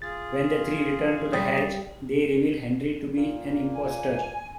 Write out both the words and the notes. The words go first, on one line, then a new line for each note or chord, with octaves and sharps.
When the three return to the Hatch, they reveal Henry to be an impostor.
F4 G#4 A6
G3 D#6 A6 B6
A#2
G#5